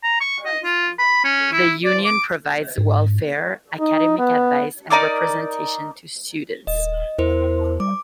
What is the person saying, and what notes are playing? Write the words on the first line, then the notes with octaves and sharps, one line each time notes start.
The Union provides welfare, academic advice and representation to students.
A#5
C#6
D#5
F4
B5
C#4
E4
D5
D6
G#2
D#4
B3
D#4 A#4 D5 D6
D#1 D#5
E2 E4 A#4 C5
G3 D6